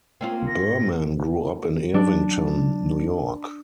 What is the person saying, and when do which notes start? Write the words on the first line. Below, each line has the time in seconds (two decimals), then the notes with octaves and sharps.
Berman grew up in Irvington, New York.
0.21 A#3 C4 C#4 F4
0.47 A#6
0.63 G#2
1.94 F#3 D4